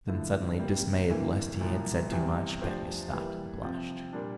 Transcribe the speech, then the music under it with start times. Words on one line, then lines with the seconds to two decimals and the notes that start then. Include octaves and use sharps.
Then suddenly, dismayed lest he had said too much, Petya stopped and blushed.
0.08 D3 F3 A3 E4
0.59 C3 G3 A#3
1.10 D2 C3 E3 A#3 E4
1.60 C2 A#2 F3 A3
2.11 E2 C3 E3 G3 C4
2.61 F3 A3 D4 G4 C5
3.12 E3 G3 A#3
3.62 C3 F3 C4
4.13 A#2 G3 A#3 D4